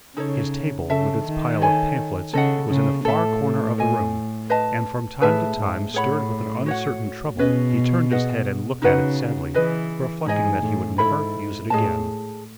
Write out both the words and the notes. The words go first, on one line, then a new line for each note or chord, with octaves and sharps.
His table, with its pile of pamphlets, was in a far corner of the room, and, from time to time, stirred with an uncertain trouble, he turned his head and looked at it sadly, reflecting that he would never use it again.
C#3 D#4 A4 C#5
C#3 A4 E5 A5
D#3
A4 C#5 G#5
C#3 A4 D#5 F#5
C#3
A2 A4 E5 A5
A4 D#5 G#5
B4 D#5 A5
A2 G#4 B4 E5 A5
G#2
A2 G#4 C#5 F#5 B5
F#4 C#5 F#5
B2 C#4 G#4 B4 D#5
G#4 B4 D#5 F#5
C#3 D#4 F#4 B4 F#5
E3 G#4 B4 D#5
G#2 D#4 G#4 D#5 G#5
A2
G#2 E4 A4 E5 B5
A2 G#4 D#5 A5